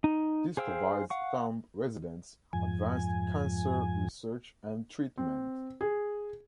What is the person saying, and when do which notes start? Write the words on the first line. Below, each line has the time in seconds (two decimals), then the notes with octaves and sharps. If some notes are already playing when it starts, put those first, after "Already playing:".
This provides Thumb residents advanced cancer research and treatment.
0.04 D#4
0.57 G#4 C5 F5 G5 E6
1.10 F5 F#5 C#6
2.53 F2 G#2 F3 G#5
5.18 C4
5.81 G#4